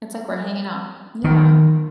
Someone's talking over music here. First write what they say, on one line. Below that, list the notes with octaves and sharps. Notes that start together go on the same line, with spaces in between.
It's like we're hanging out, yeah.
D#3